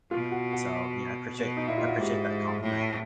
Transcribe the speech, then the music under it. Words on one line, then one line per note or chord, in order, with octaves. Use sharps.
so, you know, I appreciate I appreciate that compliment.
B2 F4
F#4
F#4
B2
D#4
A#2 E4
F4
F#4
G#2 G4
A2